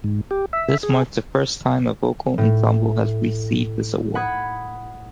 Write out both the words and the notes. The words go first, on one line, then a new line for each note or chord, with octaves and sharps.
This marks the first time a vocal ensemble has received this award.
G#2
G4
E5
G#4
A2
F#5 B5 D#6 G#6